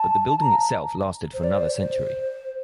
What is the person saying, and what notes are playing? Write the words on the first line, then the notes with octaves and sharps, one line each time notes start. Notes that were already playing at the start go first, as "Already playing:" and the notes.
But the building itself lasted for another century.
Already playing: A5
A#5
C5
D5
C5
C5